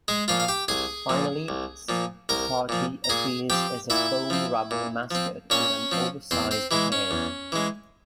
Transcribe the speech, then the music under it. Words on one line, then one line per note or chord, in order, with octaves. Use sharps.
Finally, Sparty appears as a foam rubber mascot with an oversized head.
G#3 G#4
A#2 F3 F4 F5
F5
G4 G5
C2 G#4 G#5
A#2 F3
C2
A#2 F3
C2 A#4 A#5
A#2 F3
A#5
A#2 G#4 G#5
F3 C4 G4 G5
A#2 E4 E5
F3 C4
A#2
F3 C4
A#2 C#4 C#5
F3 C4
E2 C4 C5
C4 C5
E3 G#3 E4
C#4
E2
E3 G#3